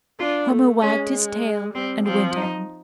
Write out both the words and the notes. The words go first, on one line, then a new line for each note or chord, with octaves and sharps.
Homo wagged his tail, and went on.
D4 F4
A3
G#3 C#4
G3 C4
F3 C4
D#4